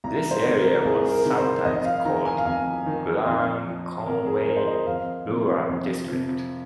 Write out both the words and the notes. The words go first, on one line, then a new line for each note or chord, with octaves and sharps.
This area was sometimes called Glan Conway Rural District.
C2 A#5
C5
C3 D#3
A#4
C2 G#4
A#4
C3 D#3
C5
F2 D#5
D#5
F5
D#3 A#5
G#5
F5
F2 G#5
D#3
F2 D#5
F3
F2 A#4
G#4
F3 A#4
C5
D#5
F2 F5
C3 F3
F2
C3 F3